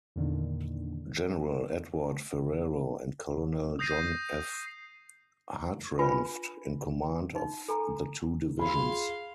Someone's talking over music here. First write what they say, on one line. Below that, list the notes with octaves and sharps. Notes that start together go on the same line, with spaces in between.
General Edward Ferrero and Colonel John F. Hartranft in command of the two divisions.
E2 A#2 D3 D#3
D#6 G6 A#6 C7 D#7
D4 F4 B4 G#5 B5
D#4
A4 G#5 A#5
F4 G#4 F5 B5 C6